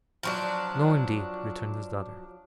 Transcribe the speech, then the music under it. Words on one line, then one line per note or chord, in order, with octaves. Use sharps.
'No, indeed,' returned his daughter.
F3 F#3 D4